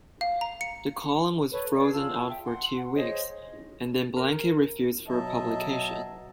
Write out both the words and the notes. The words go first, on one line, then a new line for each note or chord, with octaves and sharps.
The column was frozen out for two weeks and then blanket-refused for publication.
F5
A#5
C#7
A4 B4 C#5
G#4 D5
F4 A5 E6
E5 G5
F#5 C6
G#4 C5 C#5 D#5
A#4
B2 F#3 D#5 E5 A5